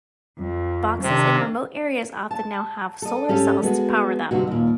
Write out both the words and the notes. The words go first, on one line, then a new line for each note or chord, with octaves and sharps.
Boxes in remote areas often now have solar cells to power them.
F2
C3 D#3 D4
A5
A4 D#5
G#2 C#4 G4 A4
G#3 B3 F#4
D2 G2 C3 D#4 F#4
D#2 A#2